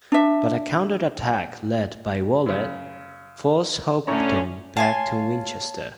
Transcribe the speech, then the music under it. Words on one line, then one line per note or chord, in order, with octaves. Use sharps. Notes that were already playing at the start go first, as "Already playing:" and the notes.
But a counter-attack led by Waller forced Hopton back to Winchester.
D4 E5
F#2 C#3
A2 D3 A3 C#4 C#5 A#5
C#5 F5 G#5 A5 C6